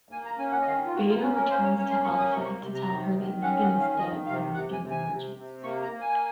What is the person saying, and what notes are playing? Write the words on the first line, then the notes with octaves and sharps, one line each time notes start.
Beta returns to Alpha to tell her that Negan is dead when Negan emerges.
A#3 G#5
A#5
C#4 G#5
F#5
D#5
D#3 F5
F4
A#3 F#4
F4
C#4 F#4
A#4
A#3 C5
C#5
C#4 C#5
C6
A#3 C#6
D#6
C3 C#6
C#6
C3
A#5
D#3
D#3
C#4 F#5
F#5
D#3
F5
D#3 D#5
C3 F5
C3 F#5
G#5
C3
G#5
C3
C3
A#3 C#6
A#5
A#3
G#5